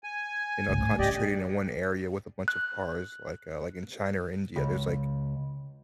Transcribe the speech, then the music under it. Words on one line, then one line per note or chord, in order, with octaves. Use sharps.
you know, concentrated in one area with a bunch of cars, like, uh like, in China or India, there's, like
G#5
C#2 A2
A2
B3 C#4 G4 D5 D#5
F#6
C#2